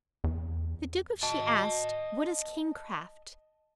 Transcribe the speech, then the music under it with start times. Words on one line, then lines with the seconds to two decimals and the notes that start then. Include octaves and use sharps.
The Duke of She asked, What is kingcraft?
0.24 E2
1.23 D#5 A5